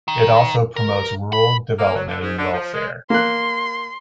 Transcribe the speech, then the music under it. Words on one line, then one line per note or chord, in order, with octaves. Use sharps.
It also promotes rural development and welfare.
D#3
A#4
B5
A#3
F#3
D3
G#2
D3
F3
G#3
A#3 C6 F#6